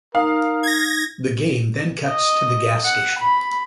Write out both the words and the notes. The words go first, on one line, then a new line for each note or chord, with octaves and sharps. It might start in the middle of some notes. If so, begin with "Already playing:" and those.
The game then cuts to the gas station.
D#4 A#4 F5
G#6 A#6
D#5
F#5
B5